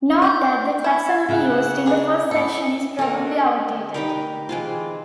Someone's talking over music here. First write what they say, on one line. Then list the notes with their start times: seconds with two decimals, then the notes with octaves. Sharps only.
Note that the taxonomy used in the first section is probably outdated.
0.22 D#5 G6
0.84 E4 G#6
1.28 C#3 C4 E5 F#5
1.86 D4 G#4
2.31 B3 E4 A4 C#7
2.99 D#4 F#4 A4 A#4
3.94 D#4 G4 A#4 B4 G5
4.49 E3 G#3 C4 F4